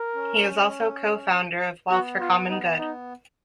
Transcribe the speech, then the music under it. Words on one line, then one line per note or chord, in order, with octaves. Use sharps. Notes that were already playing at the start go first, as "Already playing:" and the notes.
He is also co-founder of Wealth for Common Good.
Already playing: A#4
C#4
B3 F#4
F4
D#4
D#4